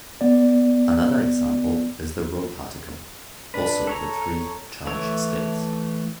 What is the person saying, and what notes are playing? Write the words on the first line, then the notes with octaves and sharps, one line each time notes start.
Another example is the "rho particle", also with three charged states.
B3 D5
D4 B4
A4 C#5 A#5
E3 A3 C#5 E6